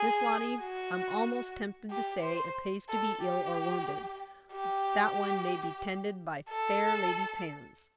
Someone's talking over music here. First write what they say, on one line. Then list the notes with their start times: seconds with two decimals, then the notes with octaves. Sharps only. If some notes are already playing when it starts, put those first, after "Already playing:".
"Miss Lottie, I'm almost tempted to say it pays to be ill or wounded, that one may be tended by fair ladies' hands."
Already playing: G#4
0.59 F#4
1.91 G4
2.23 C5
2.89 A4
3.22 G4
4.53 G4
6.50 A4